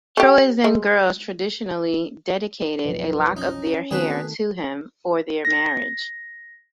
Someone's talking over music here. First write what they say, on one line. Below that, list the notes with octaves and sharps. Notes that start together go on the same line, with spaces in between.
Troezen girls traditionally dedicated a lock of their hair to him before their marriage.
G4 A4
G#3
B1 F2 B4
C#4 D#4
D#3 A3 B3 C4 F#4 G#4 B4
A#6